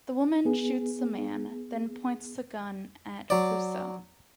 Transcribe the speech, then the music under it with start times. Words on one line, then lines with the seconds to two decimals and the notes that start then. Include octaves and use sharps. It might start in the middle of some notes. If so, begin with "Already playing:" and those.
The woman shoots the man, then points the gun at Clouseau.
0.45 B3 G#4
3.30 F#3 D5